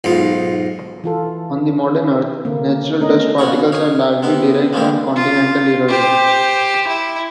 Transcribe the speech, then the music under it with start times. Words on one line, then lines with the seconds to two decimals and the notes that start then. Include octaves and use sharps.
On the modern Earth, natural dust particles are largely derived from continental erosion.
0.04 B1 G#2 F4
1.04 E3 F4 A4
2.45 D3 A#3
2.99 A3 B3 C#4 A#4 D#5
3.38 B2 F3 D4 C#5 F#5 C#6
3.72 D#4 C#5 F5
4.23 C3 B3 E4
4.73 E3 F3 G#3 A#3 C4 E4
5.16 F4
5.88 G4 C5
6.87 E4